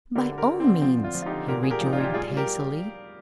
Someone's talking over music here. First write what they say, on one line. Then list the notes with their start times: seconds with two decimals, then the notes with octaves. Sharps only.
"By all means," he rejoined hastily.
0.15 D3 G4 A#4
0.32 D3
0.37 G4 A#4
0.49 D3
0.60 C4
0.64 D3
0.82 F3 C4
0.98 D3
1.03 D4 F4
1.15 F3
1.22 F4
1.26 D#4 G4
1.32 D3
1.48 A#2 G4 A#4
1.63 A#2 G#4
1.71 G4 A#4
1.81 F3
1.86 D#4
1.93 D4 F4
1.98 A#2
2.04 G4
2.14 G3 F4 G#4
2.32 G3
2.37 G4 A#4